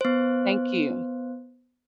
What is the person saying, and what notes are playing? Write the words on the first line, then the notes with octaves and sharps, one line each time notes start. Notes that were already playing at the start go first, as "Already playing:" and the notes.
Thank you.
B3 C5